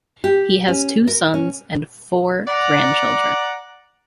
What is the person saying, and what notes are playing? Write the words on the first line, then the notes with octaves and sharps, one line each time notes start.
He has two sons and four grandchildren.
G4
C#4
A#4
C#4
D5 F#5 A#5